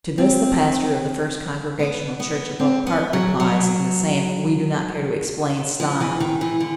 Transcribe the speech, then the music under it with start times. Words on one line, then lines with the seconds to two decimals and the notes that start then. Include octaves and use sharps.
To this the pastor of the First Congregational Church of Oak Park replies in the same we-do-not-care- to-explain style.
0.18 C4
1.79 B3
2.20 B3
2.60 C4
2.87 B3
3.13 F#3
3.40 F#3
5.80 F3
6.01 E3
6.20 D#3
6.41 E3
6.60 D3